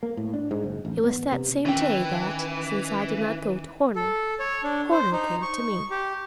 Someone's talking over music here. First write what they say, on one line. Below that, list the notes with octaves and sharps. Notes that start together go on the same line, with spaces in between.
It was that same day that, since I did not go to Horner, Horner came to me.
A#3
A2
D4
G#2
F#1
A1
B3
C3
D#3 E3 C#4 G5
A4
C#5
D4
C5
D#4
C#6
G4